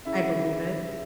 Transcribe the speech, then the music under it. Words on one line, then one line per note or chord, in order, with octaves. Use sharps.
I believe it.
C#3 E4 E5
C#3